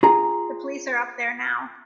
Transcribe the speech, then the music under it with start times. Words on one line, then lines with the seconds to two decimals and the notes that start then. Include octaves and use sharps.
The police are up there now.
0.03 F4 G#4 A#5